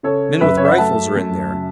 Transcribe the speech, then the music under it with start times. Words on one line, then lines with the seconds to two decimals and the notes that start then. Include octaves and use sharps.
Men with rifles are in there.
0.03 C#3 A4 C#5
0.41 F#2 B4 E5
0.57 C#5
0.65 E5
0.71 F#5
0.78 A3 E5 A5
1.15 F#2
1.53 C#3